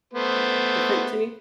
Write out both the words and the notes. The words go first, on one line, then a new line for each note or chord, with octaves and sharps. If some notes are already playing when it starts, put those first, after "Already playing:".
different to me.
A3 B3 C5